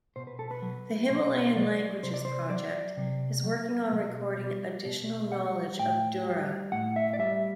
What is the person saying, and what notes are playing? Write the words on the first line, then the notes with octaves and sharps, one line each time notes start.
The Himalayan Languages Project is working on recording additional knowledge of Dura.
B2 C5
B4
A4
B4
F#3
B2 C5
C5
F#3 D5
C3 C5
D5
C5
F#3 D5
C3
F#3
B2
G3
B2
G3 F#5
A2 G5
G3
A2 F#5
E5
D5
G3 E5